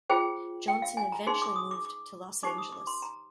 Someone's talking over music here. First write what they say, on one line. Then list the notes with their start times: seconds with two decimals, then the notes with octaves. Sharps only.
Johnson eventually moved to Los Angeles.
0.10 F4 G#4 C5 G5
0.68 G5
0.82 F5
0.97 G#5
1.12 A#5
1.27 D#4 G#4 C5 C6
1.42 D6
1.56 D#6
1.71 D6
1.85 D6
2.43 D#4 G4 C5 D6
2.58 D#6
2.72 D6
2.87 C6
3.02 A#5